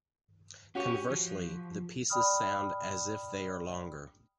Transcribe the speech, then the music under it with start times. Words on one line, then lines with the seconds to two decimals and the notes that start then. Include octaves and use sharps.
Conversely, the pieces sound as if they are longer.
0.75 C#4 F#4 G4 C#5 C#6
1.10 F3
2.10 D5 G5 B5 D#6 F6